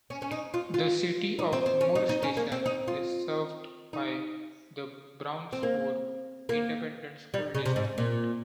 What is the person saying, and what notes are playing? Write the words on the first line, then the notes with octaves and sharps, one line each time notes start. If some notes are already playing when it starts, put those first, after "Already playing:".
The City of Moore Station is served by the Brownsboro Independent School District.
C#4
C#4
D#4
F4
F4
D#4
C4
C4
C#4
D#4
D#4
C#4
A#3
C4
D#4
F4
D#4
C4
A#3
A#3
G3
C#3
C3
G#2
A#2